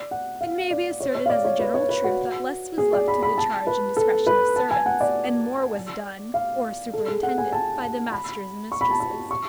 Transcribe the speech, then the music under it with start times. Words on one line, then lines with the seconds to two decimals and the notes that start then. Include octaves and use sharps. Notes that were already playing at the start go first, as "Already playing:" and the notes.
It may be asserted as a general truth, that less was left to the charge and discretion of servants, and more was done, or superintended, by the masters and mistresses.
Already playing: D5
0.11 F#5
0.41 F5
0.71 D5
1.00 C#5
1.15 C#5
1.26 F5
1.30 D5
1.45 C#5
1.59 B4
1.74 C#5
1.89 B4
2.04 F#4
2.78 G#4
2.93 D5
3.08 B5
3.23 B5
3.38 A5
3.67 B4
3.97 A4
4.27 B4
4.56 A5
4.71 G#5
4.86 F#5
5.01 D5
6.34 F5
6.93 A4
7.08 G#4
7.23 F#5
7.38 G#5
7.53 A5
7.82 A5
8.12 B5
8.72 C#6
8.81 B5
8.91 A5
9.00 B5
9.31 C#6